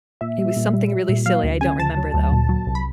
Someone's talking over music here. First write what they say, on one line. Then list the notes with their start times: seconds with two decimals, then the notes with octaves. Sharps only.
It was something really silly, I don't remember, though.
0.21 A#2 E5
0.38 G3
0.56 A#2
0.73 G3
0.92 G3
1.09 A#2
1.26 F#3 F5
1.43 D2
1.61 C#3 G#5
1.79 D2 A5
1.97 F#3
2.14 D2
2.32 A#2
2.49 F#3
2.67 C2
2.75 B5